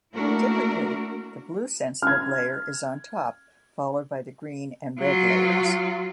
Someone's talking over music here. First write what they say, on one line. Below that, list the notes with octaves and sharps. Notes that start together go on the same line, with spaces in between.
Typically the blue-sensitive layer is on top, followed by the green and red layers.
A3 A#3 D4 E4 F#4 A#4
F6 G#6
F#3 F4